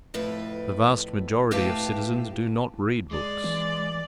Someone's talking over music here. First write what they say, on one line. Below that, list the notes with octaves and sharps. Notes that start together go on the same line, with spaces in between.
The vast majority of citizens do not read books.
F2 A2 B4
A2 C4 G4 B4 F5 A5
G#3 D5
E3